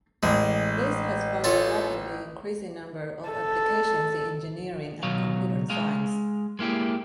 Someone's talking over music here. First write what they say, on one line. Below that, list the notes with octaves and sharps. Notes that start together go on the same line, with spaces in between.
This has found a rapidly increasing number of applications in engineering and computer science.
A1 G#3
C#4 F4 A4
A4
C#2 B2 F#3 C#5 F5
G#3 F5
G#3 A#3 E4 G4